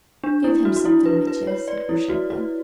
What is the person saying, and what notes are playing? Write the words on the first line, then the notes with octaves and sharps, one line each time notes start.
"Give him something, Mitya," said Grushenka.
D4
E4
F#4
F#4
E4
B4
B4
C#5
D5
E4
F#4
F#4